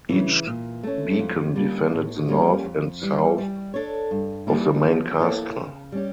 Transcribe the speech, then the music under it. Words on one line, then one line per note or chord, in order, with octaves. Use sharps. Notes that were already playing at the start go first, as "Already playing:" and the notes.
Each beacon defended the north and south of the main castle.
C#3 E3
A#2
A3 C#4
F2
D3 G3 A#3
A2
G3 A#3 C#4 G4
F2
E3 G3
G3
D4 A4 C#5
G2
E3 G3 A#3 E4
F3
A#3 E4 A4 C#5
C#3
G3 C#4 G4